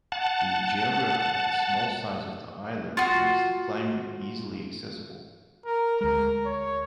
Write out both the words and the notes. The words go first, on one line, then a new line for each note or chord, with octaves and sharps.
The geography and small size of the island makes the climbing easily accessible.
F#5 A5
F4 F#4
A#4
D2 G#3 A#4
C#5